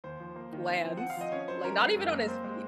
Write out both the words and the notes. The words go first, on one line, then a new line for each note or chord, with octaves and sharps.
lands, like, not even on his feet,
D#2 C5
F3
A#3
D#3
C4
F3
C4 F#5
F5
F3 D#5
C#4 C#5
F#3 C5
C#4 A#4
G#3
F#2
A#3
C4 C5
G#3